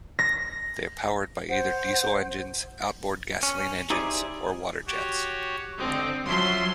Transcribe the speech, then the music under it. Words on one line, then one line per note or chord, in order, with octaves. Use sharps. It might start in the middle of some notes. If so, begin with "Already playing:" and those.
They are powered by either diesel engines, out-board gasoline engines, or waterjets.
A#6
C5 F#5
C#4
D#4 E4 G4 G#4 C5 D5
F#4 G4 C#5
D3 C4 D#5 D6
F3 F#3 C#4 E5 C6